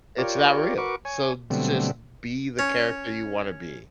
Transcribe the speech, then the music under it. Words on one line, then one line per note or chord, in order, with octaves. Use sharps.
it's not real, so just be the character you wanna be.
F4 G4 A#4 C#5 D5
F#4 A#4 B4 C#6 D6
C#5 G#5
B2 D3 F#3 G3 A3 C4
C#4